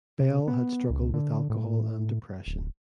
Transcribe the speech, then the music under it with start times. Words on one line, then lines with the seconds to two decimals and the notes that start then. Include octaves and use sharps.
Bell had struggled with alcohol and depression.
0.20 C3
0.48 B3
0.90 C#2
1.14 D3
1.50 A2
2.46 D1